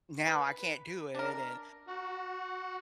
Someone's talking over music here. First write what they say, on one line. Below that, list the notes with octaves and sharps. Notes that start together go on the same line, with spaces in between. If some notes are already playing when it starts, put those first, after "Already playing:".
now I can't do it, and,
B4
D4 A#4
F#4